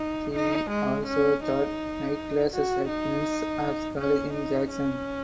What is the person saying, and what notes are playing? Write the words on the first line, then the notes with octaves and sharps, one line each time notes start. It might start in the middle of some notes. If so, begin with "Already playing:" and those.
He also taught night classes at Millsaps College in Jackson.
Already playing: D#4
D#4
G#3
C#4
D#4
F#4
D#4
C#4
D#4
C#4